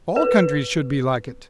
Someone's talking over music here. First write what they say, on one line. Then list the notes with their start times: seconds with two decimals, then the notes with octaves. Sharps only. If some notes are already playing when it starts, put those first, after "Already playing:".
All countries should be like it!
0.16 B4